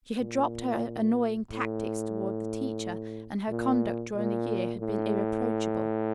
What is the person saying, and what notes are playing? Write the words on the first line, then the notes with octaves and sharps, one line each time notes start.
She had dropped her annoying tactics toward the teachers, and her conduct during the year had been irreproachable.
A#2
A2
A#2
A#2
A2